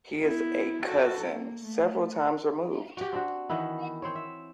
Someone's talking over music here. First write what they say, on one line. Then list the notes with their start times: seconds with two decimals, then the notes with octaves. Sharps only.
He is a cousin, several times removed.
0.21 B3 E4
0.84 F#4 A4
1.31 A#3
1.64 A3
2.97 F#4 G4
3.13 C4 D4 F#4
3.49 D#3 E3 B3 E4
4.02 C4 C5 C#5
4.15 E5